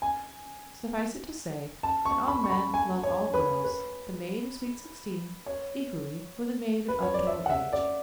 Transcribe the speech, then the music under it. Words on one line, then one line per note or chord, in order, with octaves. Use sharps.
Suffice it to say that all men love all girls-the maid of sweet sixteen equally with the maid of untold age.
G#5
A5
C#6
B5
C#6
B5
G#5
C#5
B4
B4
C#5
B4
C#5
D5
E5
F#5
E5
D5